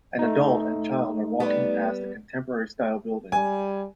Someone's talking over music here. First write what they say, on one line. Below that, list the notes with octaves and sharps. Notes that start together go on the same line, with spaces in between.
An adult and child are walking past a contemporarystyle building.
A3 D#4
G3 B3 G4
G3 G#5